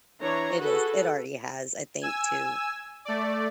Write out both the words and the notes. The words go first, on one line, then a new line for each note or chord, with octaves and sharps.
It is, it already has, I think, to
E3 D4 C#5 A#5
F#4 G#4 A4 B4
G#5 E6
A3 D5